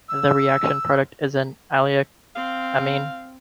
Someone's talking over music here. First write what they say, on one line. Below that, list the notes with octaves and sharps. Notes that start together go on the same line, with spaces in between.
The reaction product is an allylic amine.
E6
C4 F5